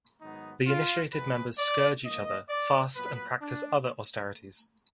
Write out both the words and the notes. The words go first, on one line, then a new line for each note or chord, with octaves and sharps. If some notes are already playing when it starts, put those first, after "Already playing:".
The initiated members scourge each other, fast, and practice other austerities.
G#2 D#3 F#3 B3 D#4
F4
F#2 F3 G#3 B3 B4
D5
G#2 F3 A#3 D#5
D5
A#2 F#3 B3 B4
D4